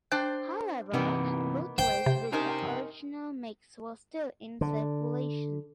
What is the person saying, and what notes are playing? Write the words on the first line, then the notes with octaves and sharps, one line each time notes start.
However, bootlegs with the original mix were still in circulation.
D4 C5 G5 F#6
C3 E3 A#3 B3 D#4
C5 G5
C3
C#4 D#4 G4 A#4 C5
D3